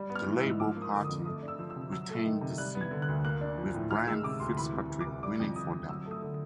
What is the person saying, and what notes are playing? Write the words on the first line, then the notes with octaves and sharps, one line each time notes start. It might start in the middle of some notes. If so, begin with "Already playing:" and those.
The Labour Party retained the seat with Brian Fitzpatrick winning for them.
Already playing: G3
B3
F6
E3
E6
G#2
F3 D6
A#3
D#6
D3 D6
D#6
F2
A3 D#6
D4
E6
F3
E6
C3
F#3 E6
A3
D#3
C3
G3 F#6
B3
G#6
D3
F#6
D2
A#3 F#6
D4
F3
A2
D#3 F6
G#3 E6
C3 D6
D2 C6
E3 B5
C2
C3
D6
C2
G3 D6
F2
D3 D#6
F2
F#3 E6
A3
D#6
D3